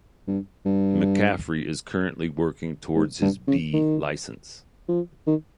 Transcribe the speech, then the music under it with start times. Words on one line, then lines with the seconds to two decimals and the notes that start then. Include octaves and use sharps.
McCaffrey is currently working towards his B licence.
0.27 G2
0.65 G2
2.95 G#2
3.21 G2
3.47 C#3
3.73 D#3
4.88 F3
5.27 D#3